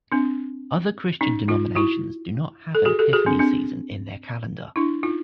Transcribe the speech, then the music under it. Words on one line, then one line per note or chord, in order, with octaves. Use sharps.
Other Christian denominations do not have an Epiphany season in their kalendar.
C4 D4
C#4 D#4
D#4 F4
E4 F#4
A4
F#4 G#4
G4 A4
F#4 G#4
C4 D4
C4 D4
D4 E4
D#4 F4